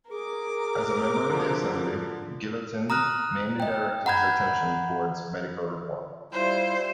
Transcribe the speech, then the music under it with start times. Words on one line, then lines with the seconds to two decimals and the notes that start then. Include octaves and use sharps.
As a member of the assembly, Guillotin mainly directed his attention towards medical reform.
0.11 G#4 A#4 D6
1.30 D3 F3
2.90 A#5 D#6 F6 F#6
3.60 D#5 E5 G5
4.06 F#5 A#5 B5 G6 G#6
6.32 G3 E4 F4 C5